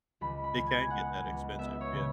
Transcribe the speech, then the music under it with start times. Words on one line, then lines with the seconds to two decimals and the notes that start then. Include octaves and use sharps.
they can get that expensive, yeah.
0.21 C#2 B5
0.44 B5
0.55 C#2
0.67 G#5
0.90 B3 F#5
1.24 C#2
1.58 B3 E5
1.81 C#5
1.93 C#3